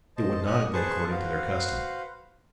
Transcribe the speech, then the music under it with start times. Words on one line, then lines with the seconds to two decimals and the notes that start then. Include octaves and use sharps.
It would not have been according to their custom.
0.17 C5 D#5 A5
0.46 G4 D#5 C#6 D#6 F6 F#6
0.73 G#4 B4 C5 A5 C#6
1.11 F#4 B4 C5 F5